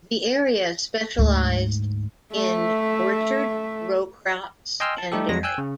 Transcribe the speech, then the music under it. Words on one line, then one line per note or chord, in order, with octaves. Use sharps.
The area specialized in orchard, row crops and dairy.
D2 G#2
A3 E5
D#5 G5 G#5 C6 E6 F6
A5
G3 A3 D#4 G4 A4
F2 F#3 G#3 A#6
G5 G#5 E6 F#6 G6
C#3